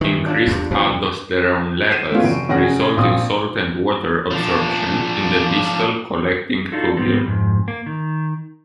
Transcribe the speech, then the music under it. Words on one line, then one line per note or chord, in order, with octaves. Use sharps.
Increased aldosterone levels results in salt and water absorption in the distal collecting tubule.
D#3 E3
D4 F4 A4
E2 G2
D#2 B2 F3
G6 B6 C7 D#7 E7
A3 B3 C#4 F4
F1 F#4 D7
F1 C#4 G#4 F#5 A#6
A#1 C4 F5 D#6
F3 D4
D4 D#4 F4 F#4 A4
G#2 G3 B3 C4
F2 G#2
A#3
D#3